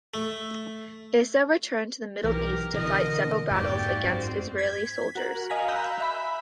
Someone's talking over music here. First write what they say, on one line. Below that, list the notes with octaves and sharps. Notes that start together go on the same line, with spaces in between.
Issa returned to the Middle East to fight several battles against Israeli soldiers.
A3
B1 E3 G4 A#4
B2 D3 E3 D#5
F2 G#2 A#3 F#4 G4 D5 G5
F#2 C4
G#6 B6
F#4 A#4 F#7
D#5 F5 G#5 A#5 B6
F5 A#5 B5 E6 F#6 G6
E5 B5